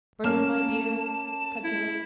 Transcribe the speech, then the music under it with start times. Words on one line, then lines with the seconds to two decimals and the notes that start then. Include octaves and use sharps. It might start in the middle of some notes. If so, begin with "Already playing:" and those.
"Bertha, my dear!" said Caleb.
0.24 A#3 C#4 A5 F6
1.63 E4